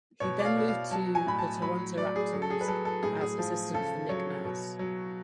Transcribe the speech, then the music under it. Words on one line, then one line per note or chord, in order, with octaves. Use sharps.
He then moved to the Toronto Raptors as assistant for Nick Nurse.
B2 C#5
D5
F5
B2
F5
F#3 A5
G#5
A2 B5
A5
F#3 B5
F#3 D5
G#4
F#3
A4
G#4
B4
F#3 A4
A4
A2 G#4
G#4
F3
C#3 A4
F#3 C#5
B2
F#3